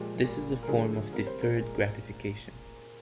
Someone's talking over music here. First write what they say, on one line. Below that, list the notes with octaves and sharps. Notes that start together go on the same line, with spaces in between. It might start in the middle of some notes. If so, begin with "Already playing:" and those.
This is a form of deferred gratification.
Already playing: A#2 F3 G#3 G4
A#2 G3
A#4
D3 F3 G#3 G#4
C3 G3 A#4
C5
A#4
A#2 G#3